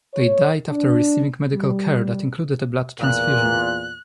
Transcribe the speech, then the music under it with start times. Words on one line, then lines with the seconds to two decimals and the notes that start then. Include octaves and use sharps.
They died after receiving medical care that included a blood transfusion.
0.14 C#5
0.69 D4
1.52 G3
2.99 E2 A#2 F#6